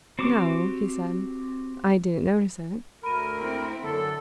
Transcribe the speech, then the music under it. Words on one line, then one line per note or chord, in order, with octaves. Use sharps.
"No," he said; "I didn't notice it."
C4 F#4 G4 D6
D2 A#4 B5 D#7
C4 E4
F#2 D3 A4